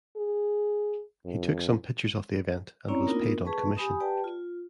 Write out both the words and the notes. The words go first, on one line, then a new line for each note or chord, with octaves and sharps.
He took some pictures of the event, and was paid on commission.
G#4
F2
C4 C#4 E4 C#5 D5 A#5
A#3 B3 D4 D#4 F4 A#4
G#4 B4 A5 C#6
G4 G#5 B5 D#6
G4 B4 D5 G5 A5
F4